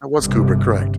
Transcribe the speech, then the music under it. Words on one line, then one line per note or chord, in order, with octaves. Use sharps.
That was Kubrick, correct.
G1 C3